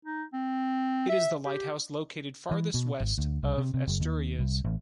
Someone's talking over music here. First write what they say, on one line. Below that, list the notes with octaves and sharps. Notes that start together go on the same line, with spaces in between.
It is the lighthouse located farthest West of Asturias.
D#4
C4
E5
G4
E3
B2
G#1
D2
C2
C3
C3
F#1
D#2
C2
A1